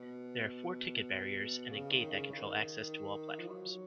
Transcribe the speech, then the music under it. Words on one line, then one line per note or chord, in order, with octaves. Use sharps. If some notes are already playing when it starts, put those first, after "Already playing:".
There are four ticket barriers and a gate that control access to all platforms.
Already playing: B2
C#3
D#3
C#3
D#3
F3
F#3